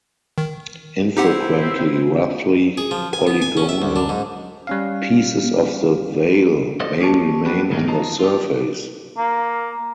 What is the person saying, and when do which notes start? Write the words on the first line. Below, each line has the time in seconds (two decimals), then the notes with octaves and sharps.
Infrequently, roughly polygonal pieces of the veil may remain on the surface.
0.38 D#3
1.17 C4 D#4 E4 G4 F#5
2.77 G#4
2.91 F3
3.13 G#5
3.27 B3
3.42 G#5
3.57 C#4
3.69 E5
3.82 D2
3.96 D4
4.09 G#2
4.67 G3 C#4 F5
6.80 A4 C5 D5 D#5
7.00 A#3 C#4 D4 C#5 G5 A5
7.45 F3 F#4 G4 B4
7.71 G#2 D#3 F#3 A3 A#3 D#4
7.87 E2 D#3 F4 D#5 A5 A#5
8.19 F4 G4
9.18 A#3